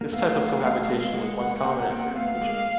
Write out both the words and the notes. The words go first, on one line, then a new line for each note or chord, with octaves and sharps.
This type of cohabitation was once common in certain regions.
A#3
A3 B3 F5
A3 B3
G#3 A#3
B3
G#3 A#3 F#5
A#3 C4
A#3 C4
C4
A3 B3 F5
G#3 A#3